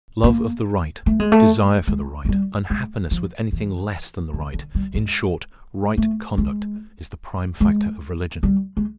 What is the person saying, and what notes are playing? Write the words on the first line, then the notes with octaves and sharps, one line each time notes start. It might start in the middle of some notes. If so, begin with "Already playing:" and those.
Love of the right, desire for the right, unhappiness with anything less than the right--in short, right conduct, is the prime factor of religion.
A#3
A3
G#3
A3
G#3
G#3
G3
G#3
F3
E3
D3
D3
G3
G#3
A3
G#3
G#3
G3
G#3